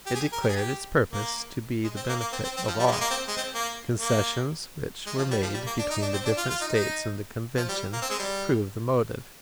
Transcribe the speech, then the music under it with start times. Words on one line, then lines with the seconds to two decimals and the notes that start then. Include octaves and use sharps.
It declared its purpose to be the benefit of all. Concessions which were made between the different States in the Convention prove the motive.
0.06 G4
0.15 G#4
0.32 A#4
0.42 G4
0.49 G#4
0.56 G4
1.13 A#3
1.84 G#3
1.96 C4
2.09 A#3
2.21 A#3
2.32 C4
2.44 C4
2.57 C4
2.68 F3
2.79 G3
2.87 A#3
2.91 G#3
3.01 A#3
3.10 C4
3.28 G#3
3.37 C4
3.55 A#3
3.99 A#3
5.07 G#3
5.18 F3
5.31 G3
5.43 F3
5.54 G3
5.67 A#3
5.79 D4
5.90 D#4
6.02 D4
6.13 C4
6.25 D4
6.37 F4
6.50 F4
6.61 D#4
6.74 D#4
7.57 F3
7.69 G3
7.93 A#3
8.02 C4
8.10 G#3
8.19 G3